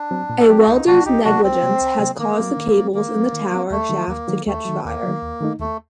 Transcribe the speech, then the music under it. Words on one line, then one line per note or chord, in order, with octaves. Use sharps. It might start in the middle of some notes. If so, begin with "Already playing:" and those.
A welder's negligence had caused the cables in the tower shaft to catch fire.
Already playing: D4
F#3 C4
A#2
A4
F#3 C4 G4
F#4
C2 D#4
C3 F#3 A#3 D4 F#4
C2 D#4 G4
C3 F#3 A#3 D4 F#4
C2 C4
C3 F#3 A#3
C2
C3 F#3 A#3
D#3 A#3
F#3 C4
D#3
F#3 C4
D#3 A#3
F#3 C4
D#3
F#3 C4
D#2 A3
D#3 F#3
D#2 A#3
D#3 F#3
D#2 A3
D#3 F#3
D#2 A#3
D#3 F#3
D#2
D#3 A3 D#4
D#2 A3